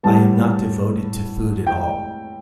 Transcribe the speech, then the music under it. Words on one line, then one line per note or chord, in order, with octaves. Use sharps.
I am not devoted to food at all.
A2 G3 B3 A5
G5